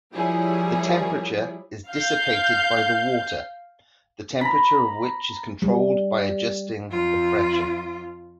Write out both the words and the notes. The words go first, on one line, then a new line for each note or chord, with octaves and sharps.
The temperature is dissipated by the water, the temperature of which is controlled by adjusting the pressure.
F3 G3 E4 G#4 A#4 C#5
F5 G6
A#5 B5
G3
F2 F4